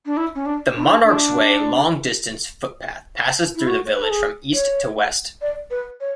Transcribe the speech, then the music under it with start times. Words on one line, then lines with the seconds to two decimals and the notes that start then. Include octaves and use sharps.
The Monarch's Way long distance footpath passes through the village from east to west.
0.06 D4
0.17 E4
0.35 C#4
0.46 D4
0.76 D4
0.83 E4
0.90 D4
1.04 D4
3.56 E4
3.67 F#4
3.86 C#5
3.94 B4
4.03 A4
4.10 G#4
4.54 C#5
5.42 D5
5.71 B4
6.01 C#5